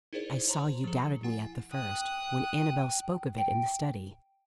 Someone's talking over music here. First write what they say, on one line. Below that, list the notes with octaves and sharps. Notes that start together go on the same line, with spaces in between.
I saw you doubted me at the first, when Annabel spoke of it in the study.
D#4 E4 G#4 A#4 C5 D5
C5 C#5 A5 A#5 C6
F3 G#4
E4 F#5 G#5
G5 D#6 F#6
G5